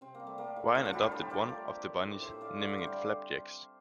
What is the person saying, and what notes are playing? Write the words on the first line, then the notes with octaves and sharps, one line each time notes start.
Ryan adopted one of the bunnies, naming it Flapjacks.
C3 C4
A#3
G3
A3
A3 A#3
A2
A2 D4 F4
D4 F4
G3 E4 G4
G4 A#4
A3 A4 C5
F3 A#4 D5
A3
A3
A2
A2
A2 C5 E5
A3 D5 F5
D3
D5 F5
G3 C5 E5
D5